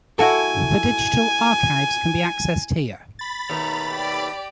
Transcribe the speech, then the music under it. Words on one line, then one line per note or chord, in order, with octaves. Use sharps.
The digital archives can be accessed here.
E4 F#4 A4 G#5
B5 A6
D#2 B2 A3 A#5 F7
G4 D5